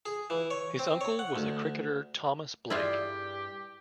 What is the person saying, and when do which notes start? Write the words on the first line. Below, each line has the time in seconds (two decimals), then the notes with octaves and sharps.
His uncle was the cricketer Thomas Blake.
0.06 G#4
0.30 E3
0.51 C#5
0.79 C4
1.01 C#5
1.19 F#5
1.36 D2
2.70 G2 E4 F4 G4 G#4 D5